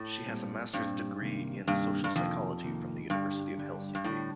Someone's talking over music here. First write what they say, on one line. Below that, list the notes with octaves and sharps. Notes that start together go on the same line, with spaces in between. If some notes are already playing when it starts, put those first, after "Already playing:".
She has a Master's degree in Social psychology from the University of Helsinki.
Already playing: A2
A#2 G3 C4
G2 A#2 G3 C4
C3 D#3 A#3
G2 C3 D#3 A#3
G2
F2 C3 D#3 A#3
C3 D#3 A#3
G2 D3 G3 D4 G4
D3 G3 D4 G4
G2
A2 D3 G3 D4 G4